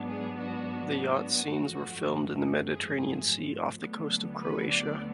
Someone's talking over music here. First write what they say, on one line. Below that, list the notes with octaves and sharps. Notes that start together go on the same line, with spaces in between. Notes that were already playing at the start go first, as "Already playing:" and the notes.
The yacht scenes were filmed in the Mediterranean Sea off the coast of Croatia.
Already playing: G#2 F#3 B3 D4
G#4
F#4
F#4
G#1 F#2 F3 A3
G#4
G#4
D2 D3 F#3 B3
B4
D5